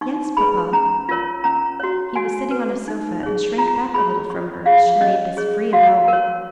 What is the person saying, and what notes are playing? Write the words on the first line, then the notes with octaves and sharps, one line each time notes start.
"Yes, papa." He was sitting on a sofa and shrank back a little from her as she made this free avowal.
D#4 C#6
G#4 B4 B5
C#4 A#5
F4 A#4 C#5
C#4 A#5
F#4 C#5
F#4 G#5
B4
D#4
G#4 C#5
F4 A#5
G#4 C#5 B5
C#4 C#6
F4 G#4 C#5 F5
C#4 D#5
G#4 C#5
F#4 F5
A#4 C#5